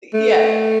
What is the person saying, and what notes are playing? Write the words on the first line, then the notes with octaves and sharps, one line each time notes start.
Y yeah.
A3